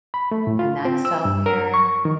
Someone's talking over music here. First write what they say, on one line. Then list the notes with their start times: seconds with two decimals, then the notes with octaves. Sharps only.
and that's self-care,
0.14 B5
0.31 A3
0.47 A2
0.59 F4
0.85 C4
1.05 E6
1.25 G2
1.46 A#4
1.74 C#6
2.05 D#3